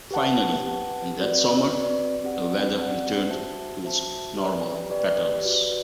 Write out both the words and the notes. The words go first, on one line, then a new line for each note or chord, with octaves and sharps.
Finally, in that summer, the weather returned to its normal patterns.
G4 B4 F#5 A5
G4 B4 F#5 A5
C4 F#4 B4 D5
C4 F#4 B4 D5
C4 G4 D5 F#5
C4 G4 D5 F#5
F#4 C5 E5 A5
F#4 C5 E5 A5
G4 B4 D5
G4 B4 D5
F#4 B4 D5